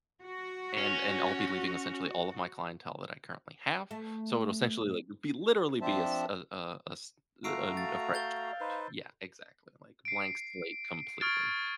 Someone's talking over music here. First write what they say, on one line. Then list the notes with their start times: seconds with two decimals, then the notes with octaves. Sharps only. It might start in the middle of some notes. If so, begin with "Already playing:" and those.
And and I'll be leaving essentially all of my clientele that I currently have, so it'll essentially, like, be literally be a s a a a s uh, und a fresh start. Yeah, exactly, like, blank slate completely,
0.24 F#4
0.78 C#4
3.91 A3
5.82 F3 C4 D4 C5 E5 A5
7.44 A3 F4 F#4 A#5 E6 C7 D7
7.77 F5 A6
8.14 G6 A6 G7
8.60 D#4 B4 C5
10.05 C7 D7
11.21 C#6 D#6 F6 G#6 A6 D7